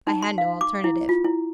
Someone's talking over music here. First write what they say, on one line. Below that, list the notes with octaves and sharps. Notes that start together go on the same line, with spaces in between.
I had no alternative.
D#4
C6
F5
D6
E4
F4
E4